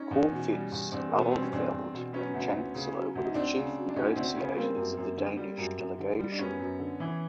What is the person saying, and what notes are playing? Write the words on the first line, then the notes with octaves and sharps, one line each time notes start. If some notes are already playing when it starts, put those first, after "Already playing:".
Corfitz Ulfeldt and Chancellor were the chief negotiators of the Danish delegation.
Already playing: C#4 D#4
E2
B2
G3
E2
E2 C4 D4
B2 A#3
B3
G3 C4
C#4
E2 C4 D4
E2
B2
F#3 B3 C#4
D2
D2
C#3
F#3
D2
D#4
D2 C4 D4
C#3
F#3
D4
D2 C#4 D#4
D2 C4 D4
C#3 B3 C#4
G3 A#3 C4
F#2
F#2
D3
G3
F#2
F#2
D3
G3
D4
F#2 B3 C#4
F#2
D3
E3